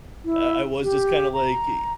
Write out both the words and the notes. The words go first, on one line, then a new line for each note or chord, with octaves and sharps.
I I was just kinda like i
E4
G4
A#5